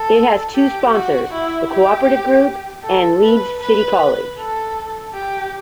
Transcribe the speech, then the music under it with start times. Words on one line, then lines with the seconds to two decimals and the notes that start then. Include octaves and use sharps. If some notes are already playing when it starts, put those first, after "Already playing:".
It has two sponsors: The Co-operative Group and Leeds City College.
Already playing: A4
0.55 G4
0.93 F#4
1.31 E4
1.69 G4
2.84 A4
3.23 B4
3.60 B4
4.37 A4
5.14 G4